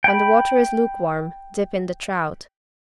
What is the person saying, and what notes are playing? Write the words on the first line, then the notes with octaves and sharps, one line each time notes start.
When the water is lukewarm, dip in the trout.
G5 B5